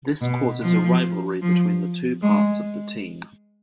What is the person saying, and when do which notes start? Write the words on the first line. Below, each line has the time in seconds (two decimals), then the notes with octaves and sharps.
This causes a rivalry between the two parts of the team.
0.21 B2
0.62 F3
1.42 F3
2.23 G#3